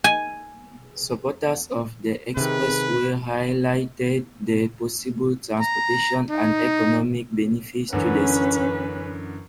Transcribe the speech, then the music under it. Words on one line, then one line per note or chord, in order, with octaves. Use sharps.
Supporters of the expressway highlighted the possible transportation and economic benefits to the city.
G#5
C3 D#3 G#4 B4
A#5
D#4
F#2 D3 E3 C#4 B4